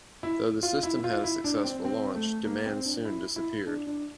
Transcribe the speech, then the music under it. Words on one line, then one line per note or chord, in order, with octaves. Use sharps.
Though the system had a successful launch, demand soon disappeared.
E4
F4
E4
F4
E4
D4
C4
C4
A3
A#3
C4
D4
E4
E4
D4
D4